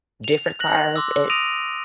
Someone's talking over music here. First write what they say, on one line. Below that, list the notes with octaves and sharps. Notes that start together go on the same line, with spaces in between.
different cars and
F7
F#6 A#6 F#7
C6 D6 E6
D#6 A#6 D7 D#7 F7